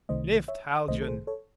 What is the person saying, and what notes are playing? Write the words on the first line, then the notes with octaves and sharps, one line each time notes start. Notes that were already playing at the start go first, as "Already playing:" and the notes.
"Lift, Haljan!"
C2 C3 D#3 A3 C5 D#5
C#5 E5
C2 C3 D#3 A3 C5 D#5
A4
G#4 C5
A4 C#5